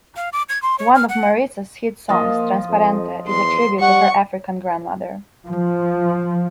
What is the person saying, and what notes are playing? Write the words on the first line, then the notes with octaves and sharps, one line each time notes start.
One of Mariza's hit songs, "Transparente" is a tribute to her African grandmother.
F5
D6
G#6
C6
C#5
F6
F#5
F3 A#3 F4 D#5
F2
E2 C6
G3 F#5 C#6
F3